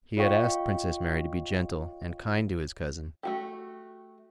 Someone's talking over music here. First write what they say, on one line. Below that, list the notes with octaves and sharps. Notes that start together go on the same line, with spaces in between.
He had asked Princess Mary to be gentle and kind to his cousin.
F4 C#5 D#5 F5 G5 C#6
A3 F#4 G4